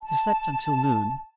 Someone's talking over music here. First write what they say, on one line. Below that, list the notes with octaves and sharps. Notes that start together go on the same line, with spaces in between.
He slept until noon.
A5